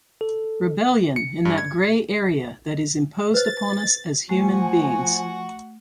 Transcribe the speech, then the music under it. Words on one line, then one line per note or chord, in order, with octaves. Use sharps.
Rebellion in that grey area that is imposed upon us as human beings.
A4
C#7
G2
G#6
B4 C5 A6
F3 A3 F#4 F#5 G#5